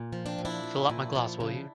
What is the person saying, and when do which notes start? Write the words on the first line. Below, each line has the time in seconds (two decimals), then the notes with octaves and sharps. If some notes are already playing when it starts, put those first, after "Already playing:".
Fill up my glass, will you?
Already playing: A#2
0.13 F3
0.26 C4 D4
0.39 A#2
0.45 D4 E4
0.64 F3
0.89 A#2
1.15 F3
1.40 C#3